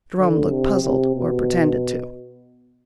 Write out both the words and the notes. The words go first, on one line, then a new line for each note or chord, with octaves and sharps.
Jerome looked puzzled, or pretended to.
D3
C3
C3
B2